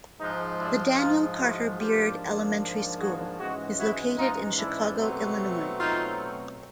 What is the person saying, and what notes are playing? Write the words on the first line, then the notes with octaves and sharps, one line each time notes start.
The Daniel Carter Beard Elementary School is located in Chicago, Illinois.
G#2 F3 G#3 D#4
D4 E4
D#4 F4
E4 F#4
G#2 F3 A#3 D4 F4 G4
F#4 G#4
G#2 E3 G#3 C#4 F#4 G#4
E4 F#4
D#4 F4
D4 E4
B2 F#3 A3 C4
D#4 F4